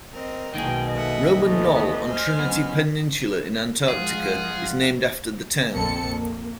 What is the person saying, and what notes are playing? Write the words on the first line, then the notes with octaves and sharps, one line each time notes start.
Roman Knoll on Trinity Peninsula in Antarctica is named after the town.
C4 A#4 D#5
B1 B2 D#3 A#3 G#4 G5
A4 D#5 E5 F#5
D2 E3 A3 B3
C5 G#5 F6
F#3 B3 C#4
F3 G#3 F4 G#4 F5 F#5
A#1 F2 A#3 C4 A4 C#7
A#3